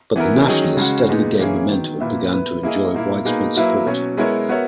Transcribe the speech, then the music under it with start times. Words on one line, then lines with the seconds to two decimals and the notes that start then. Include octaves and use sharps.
But the nationalists steadily gained momentum and began to enjoy widespread support.
0.16 E3 B3 E4 A#4
0.47 D#3 F#3 C#4 G#4 D#5
0.77 C#3 G#3 C#4 F#4
1.09 A#2 G#3 B3 D#4
1.39 E3 A#3 C#4 E4 G#4
1.71 D#3 F#3 B3
2.01 A#2 A#3 E4 B4 E5
2.32 B3 E4 B4
2.63 A#3 E4 G#4 D#5
2.95 A#2 A#3 E4
3.25 B2 A#3 D#4 G#4 B4
3.56 F#3 A#3 E4 B4 E5
3.86 B2 F#3 C#4
4.18 G#3 B3 E4 A#4 C#5
4.49 B3 F#4 A#4 C#5 E5